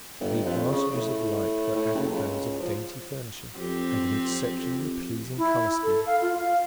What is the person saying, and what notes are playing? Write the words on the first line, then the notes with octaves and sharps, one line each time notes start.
To the advantages of light were added those of dainty furnishing and an exceptionally pleasing color scheme.
G1
F2
C#3
A2
A2
F#1
C#2
F3
F2 C4 G4
E4
A4
F5
F4
F5